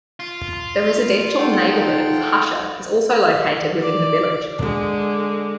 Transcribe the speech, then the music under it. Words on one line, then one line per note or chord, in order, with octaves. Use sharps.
The residential neighborhood of Husher is also located within the village.
F4
D#4 A4 F#5 G5
D5
D3 G#3